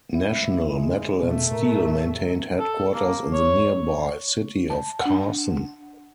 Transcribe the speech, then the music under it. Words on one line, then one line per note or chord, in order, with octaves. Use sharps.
National Metal and Steel maintained headquarters in the nearby city of Carson.
E4
G#3
B2 A3 E5
A2 A#4
A4
A#3
C#5
A5
D4 F#5